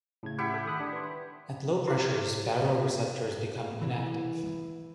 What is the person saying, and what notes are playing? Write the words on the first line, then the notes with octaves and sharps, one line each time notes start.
At low pressures, baroreceptors become inactive.
A2 C#3 G#6
E4 G4 F#5
A4
D#3 D#6 F#6
D4
B4 C6
E4 G4 B4 C5 D6
E3